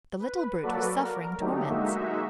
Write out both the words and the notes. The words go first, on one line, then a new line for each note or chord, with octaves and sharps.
The little brute was suffering torments.
B4
F#3 A#3 F#4 A4 B4 D5
A#4
D3 F#3 A3 D#4 G4
G#3 A#3 D#4 F#4 E5